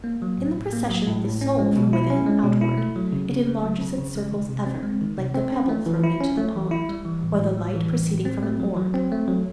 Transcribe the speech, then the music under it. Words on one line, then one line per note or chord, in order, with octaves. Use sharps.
In the procession of the soul from within outward, it enlarges its circles ever, like the pebble thrown into the pond, or the light proceeding from an orb.
A#3
F#3
A2
A2
A#3
F#3
A2
A2
C#4
G#3
B2
E4
C#4
G#3
B2
E4
A3
F#3
C#3
C#3
A3
F#3
C#3
C#3
G#3
D#3
C3
C4
G#3
D#3
C3
C4
C#4
A3
E3
E4
C#4
A3
E3
E4
G3
E3
A2
A2
G3
E3
A2
A2
C4
A3
F#3
F#3
C4
A3
F#3